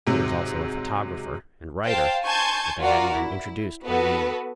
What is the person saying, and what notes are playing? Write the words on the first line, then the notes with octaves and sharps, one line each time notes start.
There was also a photographer and writer, but they hadn't been introduced by name.
G#2 C3 F#3
C5 F5 G5 A5
G#5 A5 C6 C#6 G6 G#6
F4 F#4 A#4 D5
E4
B3 F#4 A4 B4